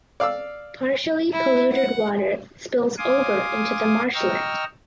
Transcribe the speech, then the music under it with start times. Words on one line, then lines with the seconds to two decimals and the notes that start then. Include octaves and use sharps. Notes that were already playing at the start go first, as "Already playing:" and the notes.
Partially polluted water spills over into the marshland.
0.20 D5 F5 D6 E6
1.32 E4
1.72 F#5
2.98 F5 G#5 C6 D6 D#6
4.14 D#5 G5 A#5 C#6 E6 F6